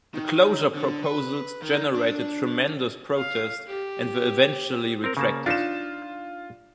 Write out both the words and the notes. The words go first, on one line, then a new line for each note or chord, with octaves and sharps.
The closure proposals generated tremendous protest and were eventually retracted.
D#3
D3
B4
D#3
D4
F5
G4
C4 A#4
C#3 A#3 A5
D4 D#4 F4 E7